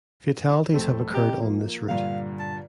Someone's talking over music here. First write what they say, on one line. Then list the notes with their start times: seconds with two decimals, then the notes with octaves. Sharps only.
Fatalities have occurred on this route.
0.74 F1 A3 C4 A4
1.14 C4 G4 D#5 A#5
1.42 F3 A#3
1.89 G2 A#2 D3 F5
2.40 A5